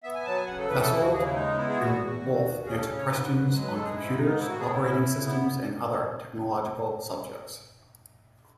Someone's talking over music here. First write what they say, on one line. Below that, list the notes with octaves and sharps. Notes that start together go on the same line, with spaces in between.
Fasoldt and Wolf answered questions on computers, operating systems, and other technological subjects.
B3 E5
G#5
F#3 A5
G#5
C#3 F#5
A4
E3 B4
A4
D#2 E4
F#4
C#3 G#4
E4
G#3 D#4
B3 E4
G#4
E2 F#4
E2
D#3
D#2
C#4 G#4
A4
C#3
C#5
G#2 B4
F#3
G#3
B4
G#3 A4
G#4
G#2 E4
G#2 D#4
A2 E4
F#4
B3 G#4
E4
C#4 E4
C#3
B3 E4